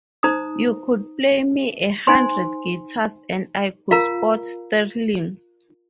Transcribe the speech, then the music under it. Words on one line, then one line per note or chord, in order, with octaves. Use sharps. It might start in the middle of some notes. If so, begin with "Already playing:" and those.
You could play me a hundred guitars, and I could spot Sterling.
D#4 C5 A#5 D#6
D#4 C5 G#5 C6
F4 A#4 F5 A#5